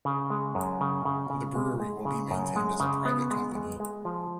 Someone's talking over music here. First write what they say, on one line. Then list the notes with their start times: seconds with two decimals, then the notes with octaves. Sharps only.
The brewery will be maintained as a private company.
0.05 C#3
0.30 G#3
0.55 F#2
0.81 C#3
1.05 C#3
1.30 C#3
1.55 G#3
1.80 G#3
2.05 C#3
2.31 F#2
2.56 G#3
2.80 C#3
3.05 B3
3.31 G#3
3.55 G#3
3.80 G#3
4.05 F3